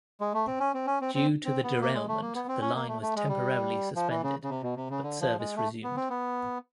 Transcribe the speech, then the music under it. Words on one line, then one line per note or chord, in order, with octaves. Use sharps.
Due to the derailment the line was temporarily suspended, but service resumed.
G#3
A3
C4
C#4
C4
C#4
C4
C4
C4
B3
A#3
G#3
A3
A#3
B3
C4
C#4
A#3
A3
A3
G#3
G3
F3
E3
C#3
C#3
C3
B2
C3
C#3
D3
F3
G#3
A3
B3
C4
B3